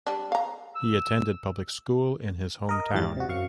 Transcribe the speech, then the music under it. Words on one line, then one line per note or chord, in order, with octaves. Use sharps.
He attended public school in his home town.
G3 D4
F5 A#5
E6
A#4 D#5
G#2 E3 G3 A6
C3 F#4
F#2 F5 C#6